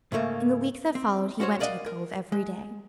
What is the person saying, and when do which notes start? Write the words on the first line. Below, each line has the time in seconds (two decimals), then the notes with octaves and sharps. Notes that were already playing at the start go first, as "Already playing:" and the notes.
In the week that followed he went to the Cove every day.
0.12 G#2 C#3 A3 A#3
0.95 C4
1.40 C#4 F#4 C5 C#5
1.60 A#4 D5 D#5 F5 F#5
1.86 A#4
2.32 G#3